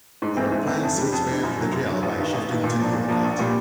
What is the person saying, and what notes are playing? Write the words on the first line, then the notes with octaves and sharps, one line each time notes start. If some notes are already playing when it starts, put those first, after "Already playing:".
There are plans to expand the jail by shifting to Nuwakot.
G#2
E3 A3 C4
G#2
E3 A3 C4
F2
D3 G3
F2
D3 G3
F#2
D3 F#3
F#2
D3 F#3
A1
G2 D#3
A1
G2 D#3
A#2
F3 A#3 D4
A#2
F3 A#3 D4
A#1
A#2 G3